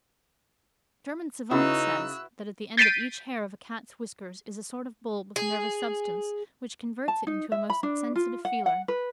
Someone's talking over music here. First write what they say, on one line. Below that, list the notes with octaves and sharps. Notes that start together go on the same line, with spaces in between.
A German savant says, that at the end of each hair of a Cat's whiskers is a sort of bulb of nervous substance, which converts it into a most sensitive feeler.
C#3 D#4 E4 F#4 B4 E6 F#6
G6 A6 B6 C7 D7 D#7
G#4
A5
D#4
E5
B5
D4
F4
F#5
F#5
B4